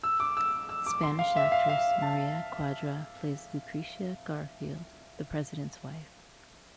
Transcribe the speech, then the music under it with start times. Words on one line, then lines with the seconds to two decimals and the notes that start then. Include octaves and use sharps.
Spanish actress Maria Cuadra plays Lucreatia Garfield, the President's wife.
0.03 E6
0.20 D6
0.37 E6
0.69 E6
0.86 D6
1.03 C6
1.19 F5
1.36 E5
1.52 F5
1.69 F5
2.02 A5